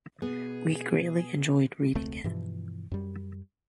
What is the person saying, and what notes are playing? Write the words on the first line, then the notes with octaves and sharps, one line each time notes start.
We greatly enjoyed reading it.
B2 B3 G#4
E1 C#2 A3 C4
G2 B2 E3 F3
F#2 G3